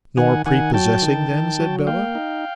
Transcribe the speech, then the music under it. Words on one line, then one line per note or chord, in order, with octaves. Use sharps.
'Nor prepossessing then?' said Bella.
D#3 F#5 G#5
D#3 F#5 G#5
F#3 G5 A5
D#3
D#3
F#3
A#3 F5 G5
D#4